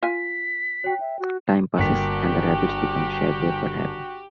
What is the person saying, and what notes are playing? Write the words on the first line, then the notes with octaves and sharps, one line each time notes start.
Time passes, and the rabbit becomes shabbier but happy.
F4 G#5 B6
F#4 C#5 G5
E5
F#4
G1 A#3 F#4 G4 B6